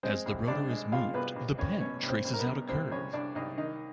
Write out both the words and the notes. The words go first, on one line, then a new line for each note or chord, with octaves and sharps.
As the rotor is moved, the pen traces out a curve.
G#3 C4 C5
C2
C2 D4 D5
G#3
C2 F4 F5
C2 B3 B4
C2
C2 C#4 C#5
B2 C#4 C#5
C2
C4 C5
C2
A#4
B3 B4
B2
C2 C4 C5
C2 C#4 C#5
C2 D4 D5
C2 D#4 D#5
D#3 D#4 D#5